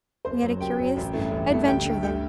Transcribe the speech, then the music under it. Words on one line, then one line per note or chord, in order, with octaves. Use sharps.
We had a curious adventure there.
F#1 C5 C6
F#2 F#3
F#1 G4 G5
F#2 F#3
A1
G2 E3 A3
A1
G2 E3 A3
D2 G4 G5
D3 A3
D2 G4 G5